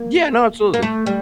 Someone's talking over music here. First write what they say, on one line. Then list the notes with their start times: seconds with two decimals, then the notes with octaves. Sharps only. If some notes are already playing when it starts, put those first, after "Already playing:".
Yeah, no, absolutely.
Already playing: A#3
0.74 A#3
0.82 A3
1.06 G3